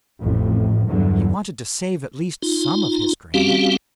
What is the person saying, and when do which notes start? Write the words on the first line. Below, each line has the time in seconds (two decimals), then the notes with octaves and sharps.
He wanted to save at least some of his grain.
0.21 A1 F2 A2
0.88 E2 G2 D3 F#3
2.42 D#4 F4
3.34 G3 C4 C#4 F#4 G4 F5